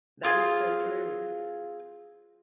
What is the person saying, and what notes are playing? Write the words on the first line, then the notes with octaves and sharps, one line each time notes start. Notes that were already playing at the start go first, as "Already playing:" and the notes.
That is so true.
C4 F4 G#4